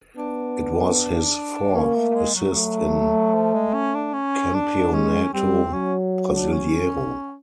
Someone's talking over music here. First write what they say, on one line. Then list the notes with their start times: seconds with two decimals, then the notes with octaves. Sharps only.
It was his fourth assist in Campeonato Brasileiro.
0.16 B3 D4
1.75 A#3 C#4
1.95 A3
2.10 A3
2.15 G#3
2.34 F#3
2.54 A3
3.34 F3
3.54 G#3
3.74 C#4
3.94 D4
4.13 C#4
4.54 D4
4.93 G#3 C#4
5.33 G3 C4
5.73 F#3 C#4
6.32 D4
6.52 C#4